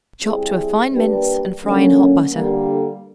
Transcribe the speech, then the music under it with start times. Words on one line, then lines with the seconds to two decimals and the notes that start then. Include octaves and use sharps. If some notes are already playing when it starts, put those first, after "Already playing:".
Chop to a fine mince and fry in hot butter.
0.21 G3 C4 E4 G#4
0.91 G3 A#3 D4 G4 B4
1.62 D3 F#3 A#3 C#4
2.32 D3 G3 A#3